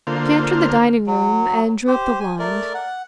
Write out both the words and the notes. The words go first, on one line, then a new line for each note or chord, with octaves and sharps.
She entered the dining-room and drew up the blind.
D3 A#3 F4 C5
F#3
G4 C5
G#5
A3 A#4 D5
F#5